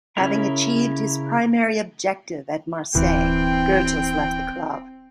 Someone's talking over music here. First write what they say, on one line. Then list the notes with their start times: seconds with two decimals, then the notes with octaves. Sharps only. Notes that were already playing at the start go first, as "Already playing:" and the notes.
Having achieved his primary objective at Marseille, Goethals left the club.
0.17 C#3 C#4 E4 A#4
2.95 D1 E3 C4 G5